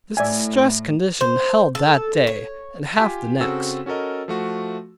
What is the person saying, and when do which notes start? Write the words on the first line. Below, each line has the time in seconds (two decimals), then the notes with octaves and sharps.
This distressed condition held that day, and half the next.
0.17 A2 D5 E5 G#5
1.21 C5
1.75 A4
2.27 C#5
2.97 F4 G4 G#5 B6
3.41 C#3 C4 F#4 A4 E6
3.86 C#4 F#4 A4 A#4 D#5
4.28 F3 A3 F#4